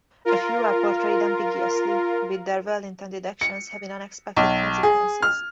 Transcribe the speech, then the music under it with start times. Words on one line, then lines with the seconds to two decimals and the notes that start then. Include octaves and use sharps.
A few are portrayed ambiguously, with their well-intended actions having unexpected consequences.
0.25 F4 A#4
3.41 C#7
4.36 B1
4.83 G#4
5.22 F6